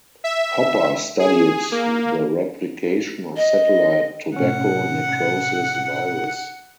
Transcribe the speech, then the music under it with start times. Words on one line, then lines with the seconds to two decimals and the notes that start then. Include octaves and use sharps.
Hopper studied the replication of satellite tobacco necrosis virus.
0.24 E5
1.19 G#4
1.72 A#3
3.36 D#5
4.36 A2 C3 C#4 F#5